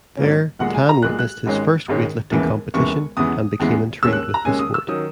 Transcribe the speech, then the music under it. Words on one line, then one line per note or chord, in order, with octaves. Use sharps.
There, Tan witnessed his first weightlifting competition and became intrigued with the sport.
G#2 F#3 A#3 C#4
B1 A#2 G#3 F#5
G#5
A#5
B1 A#2 G#3 F#6
F#6
G#1 G#2 D#3 G#3 C#4
G#1 G#2 D#3 G#3 C#4
E1 D#2 C#3 E3 B3
E1 D#2 C#3 E3 B3 C#6
E2 C#3 E3 G#3 B3 D#6
E2 C#3 E3 G#3 B3
D#2 C#3 G#3 C#4 E6
F#6
A#5
D#2 C#3 G#3 C#4 G#5
D#6
E6
D#3 F#3 C#4 D#6